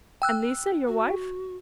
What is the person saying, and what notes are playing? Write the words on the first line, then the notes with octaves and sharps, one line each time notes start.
"And Lise, your wife?"
G5 E6 F#6
F#4